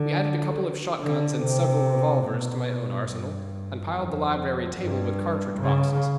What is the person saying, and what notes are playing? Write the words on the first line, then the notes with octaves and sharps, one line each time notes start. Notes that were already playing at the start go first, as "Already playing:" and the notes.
We added a couple of shot-guns and several revolvers to my own arsenal, and piled the library table with cartridge boxes.
Already playing: D3
D3
C3
B2
G2
F2
G2
C#3